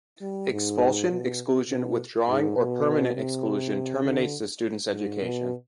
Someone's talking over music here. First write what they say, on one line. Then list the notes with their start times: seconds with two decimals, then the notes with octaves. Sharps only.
Expulsion, exclusion, withdrawing, or permanent exclusion terminates the student's education.
0.21 G3
0.52 G#2
1.10 B2
1.70 B2
2.28 G#2
2.57 B2
3.15 C3
4.04 D3
4.92 G#2
5.22 B2